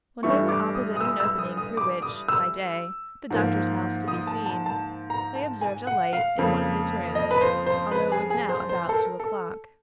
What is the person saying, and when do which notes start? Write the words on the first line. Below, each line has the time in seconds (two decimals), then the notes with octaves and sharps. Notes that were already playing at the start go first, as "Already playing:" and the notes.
When they were opposite an opening through which, by day, the doctor's house could be seen, they observed a light in one of his rooms, although it was now about two o'clock.
0.23 G2 E3 A3 C#6
0.49 D6
0.75 D#6
0.96 D#6
1.01 E6
1.20 E6
1.38 D#6
1.57 D#6
1.77 D6
2.02 D#6
2.29 E6
3.30 G#2 F3 A#3
4.08 D#6
4.27 A5
4.46 A5
4.66 A5
5.10 A#5
5.35 A5
5.61 G#5
5.87 F#5
6.13 F5
6.38 F2 C#3 F3 A#3
7.15 D#5
7.31 B4
7.41 C5
7.66 C5
7.92 B4
8.12 G#4
8.30 G#4
8.49 C5
8.69 C5
8.89 A4
8.94 A#4
9.20 A4